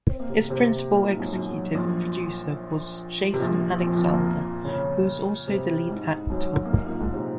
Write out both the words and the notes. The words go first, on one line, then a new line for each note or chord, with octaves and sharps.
Its principal executive producer was Jason Alexander, who was also the lead actor.
C4
A#3
C3 C4
C3 C4
A#2 A#3
G#2 G#3
F#2 F#3
F#2 F#3
A#1 A#2
C3
A#1 A#2
F2 F3
F2 F3
A#2 A#3
C#3 C#4
C3 C4
G#2 G#3
F#2 F#3
A#3
G#2 G#3
A#2 A#3
G#2 G#3
C3 C4